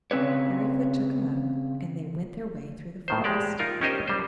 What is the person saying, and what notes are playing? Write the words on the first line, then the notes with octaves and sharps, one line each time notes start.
Fairyfoot took him up, and they went their way through the forest.
C#3 E3 C4 B4 C#5
A2 D#3 C5
G#3 G4 D5
D#4 F4 A#4
C#4 D#4 G4 A#4 C5 D#5
G3 C5